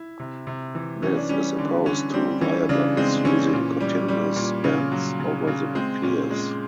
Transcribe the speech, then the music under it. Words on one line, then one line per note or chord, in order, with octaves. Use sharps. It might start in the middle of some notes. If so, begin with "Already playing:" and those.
This is opposed to viaducts using continuous spans over the piers.
Already playing: E4
C3
C3
E3
E3 C#4
D4
G3 C#4
D3
D3 C#4
G3 C4
E3 C#4
C#3 D4
G#3 C4
E3 C#4
A#2
G3
G3
A#2
C#3 C#4
F#3
C#3
C#3
G#3 C4
A#2 C#4
G#3